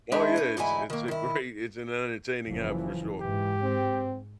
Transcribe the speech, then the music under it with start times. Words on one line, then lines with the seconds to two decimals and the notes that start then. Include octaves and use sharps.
Oh, yeah. It's It's a great It's an entertaining app for sure.
0.12 G#3 D4 E4 G#4 C5 E5
0.36 B4 C#5
0.57 D2 G#2 E3 D#4 E4 G#5
0.90 D#3 A#3
1.08 D#3 E4
2.49 F#1 E3 F3
3.21 G#2 E3 G4
3.63 C4